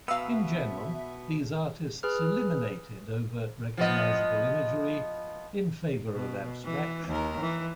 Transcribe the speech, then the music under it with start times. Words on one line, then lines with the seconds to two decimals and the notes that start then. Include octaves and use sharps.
In general these artists eliminated overt recognizable imagery in favor of abstraction.
0.08 B2 B3 E5 F5 A#5 E6
2.03 G#4 B4 F6
3.77 F3 B3 D#5
6.14 B2
6.64 E3
7.08 D#2 A#4
7.40 E3